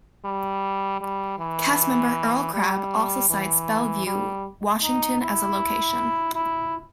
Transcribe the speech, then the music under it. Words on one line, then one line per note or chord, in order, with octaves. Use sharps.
Castmember Earl Crabb also cites Bellevue, Washington as a location.
G3
G3
E3
G3
E3
G3
D#4
E4
E4